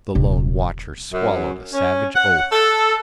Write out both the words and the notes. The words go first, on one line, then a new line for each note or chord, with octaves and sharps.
The lone watcher swallowed a savage oath.
D#1 C3
F#2
C#4
F#5
A4